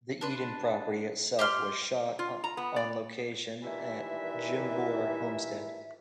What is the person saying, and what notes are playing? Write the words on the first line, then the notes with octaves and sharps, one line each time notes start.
The "Eden" property itself was shot on location at Jimbour Homestead.
D4 B4 C6
G4 C6 F6
F4
A#5
B3
D5
G2 A#2 D#3 E3 E4 E5